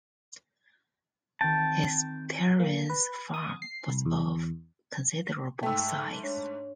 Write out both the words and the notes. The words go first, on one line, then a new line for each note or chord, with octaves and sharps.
His parents' farm was of considerable size.
D#3 C4 G5 A5
A#3
B4
D#6
C7
C2
E2
G#2 A3 G5 E6
D4 C#5